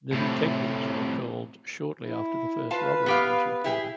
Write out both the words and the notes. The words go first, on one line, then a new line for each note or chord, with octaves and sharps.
The detectives were called shortly after the first robbery was reported.
A2 C3
E4
F4 B4 F5 A5
B3 G4 F5
E4 G4 G#4